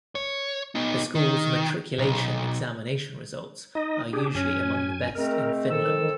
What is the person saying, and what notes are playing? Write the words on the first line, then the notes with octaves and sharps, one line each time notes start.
The school's matriculation examination results are usually among the best in Finland.
C#5
B3 D#4
D#3
B1
D#4 D#5
D4 G4 G#4
F#2 C#4 G#5
G#3 A3 C4 A#4
D#3 C4 A4 E6